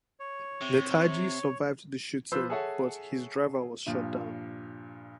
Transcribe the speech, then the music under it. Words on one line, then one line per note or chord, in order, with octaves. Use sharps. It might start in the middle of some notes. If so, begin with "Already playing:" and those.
Netaji survived the shooting but his driver was shot down.
C#5
C3
F3 B4 C5 E6
G#4 A4 C#5 E5 F#5 G#5
G2 A#2 F3